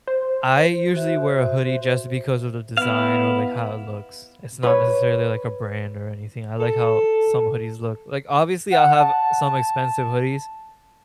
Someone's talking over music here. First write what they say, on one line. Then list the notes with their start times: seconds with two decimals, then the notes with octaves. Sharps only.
I usually wear a hoodie just because of the design or, like, how it looks, it's not necessarily, like, a brand or anything, I like how some hoodies look, like, obviously I'll have some expensive hoodies,
0.08 C5
0.94 F#4 E5
2.77 B3 E4 F5
4.63 B4 C#5
6.60 A4
8.72 F#5
9.00 A5